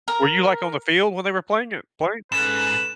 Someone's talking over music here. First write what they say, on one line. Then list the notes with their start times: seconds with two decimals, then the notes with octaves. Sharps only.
Were you, like, on the field when they were playing it playing?
0.08 A#4
2.32 G#2 C#4 A4 B4 E7